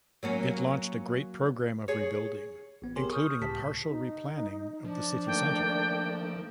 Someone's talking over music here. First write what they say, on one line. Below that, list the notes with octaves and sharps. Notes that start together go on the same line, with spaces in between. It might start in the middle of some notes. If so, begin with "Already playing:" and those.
It launched a great program of rebuilding, including a partial replanning of the city-center.
F#3 A#3 C#4
G#4 C#5
A1 B3
G4 G#4 A#4 C#5 G#5 C6
C#6 D#6 F6 G6
C#2 A2 C#3 G4 A5 B6
D#4
F3 D4
D#3 A3 A#3 G5